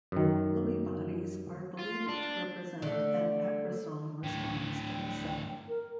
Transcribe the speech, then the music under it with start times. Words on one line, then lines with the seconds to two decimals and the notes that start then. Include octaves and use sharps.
Lewy bodies are believed to represent an aggresome response in the cell.
0.12 F#2 D#3
1.79 F4
2.08 D4
2.82 D3 A3
4.23 A2 D3 G5
5.68 A#4